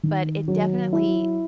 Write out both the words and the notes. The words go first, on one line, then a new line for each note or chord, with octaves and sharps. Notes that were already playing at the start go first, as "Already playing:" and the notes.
but it definitely,
D#3
F#3
E4